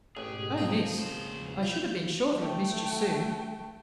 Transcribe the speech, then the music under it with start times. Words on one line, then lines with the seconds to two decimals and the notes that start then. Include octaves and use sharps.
'Oh, miss, I should have been sure to have missed you soon.
0.17 A1 G#2 B2 G4 G#4
0.58 F3 C4 D#4 D#5
0.99 C#2 A#3 G#4 C5
1.30 E2 B2 F3
1.63 B3 E4 F4 G6
2.37 A3 G5